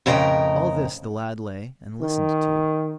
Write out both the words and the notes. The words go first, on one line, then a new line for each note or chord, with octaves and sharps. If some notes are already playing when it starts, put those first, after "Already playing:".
All this the lad lay and listened to.
F2 A2 C#3 A#4 D#5 G5
D#3